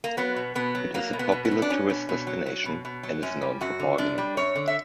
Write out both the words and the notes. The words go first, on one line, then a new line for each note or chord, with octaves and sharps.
It is a popular tourist destination, and is known for bargaining.
A#3
F#3 B3
B2
B2 B3
F#3
F#3 A#3
B2
B3
B2
B3
F#3
D4
F#3 C#4
B2
B2
F#3
F#3
B2
B2
F#3
F#2 C#4
G3
F#2 F#4
D3
F#2 D4
G3
F#2 C#5
D3
E5